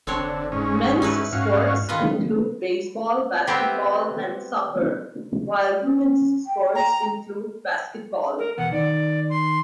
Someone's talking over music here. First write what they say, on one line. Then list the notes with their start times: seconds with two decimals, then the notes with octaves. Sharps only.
Men's sports include baseball, basketball and soccer; while women's sports include basketball.
0.07 F1 D3 C4 D4 C#5
0.52 G#2 C#4
1.02 D#4 E4 B4
1.33 G#2 C#4 F#4 F5
1.89 D#3 F4 B4 D#5
3.47 B3 C4 E4 G4
5.82 C#4
6.46 G5
6.75 A#5
8.39 A#4
8.58 E2 B2 B3 F#5
8.72 D#3 D5
9.30 C6